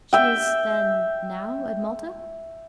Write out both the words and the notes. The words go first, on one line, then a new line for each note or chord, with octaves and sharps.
"She is, then, now at Malta?"
E5 G5